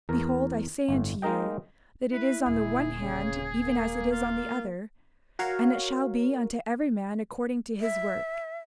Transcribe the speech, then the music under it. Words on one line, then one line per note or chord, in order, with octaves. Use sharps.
Behold, I say unto you, that it is on the one hand even as it is on the other; and it shall be unto every man according to his work.
E2 A#4
G1 A2
G#3 A#3 D#4 A#4 D#5 G5
E4 B4
D#1 D2 G#4
C#3
A#3
F4
F#4 A#4 C#5 F5
E5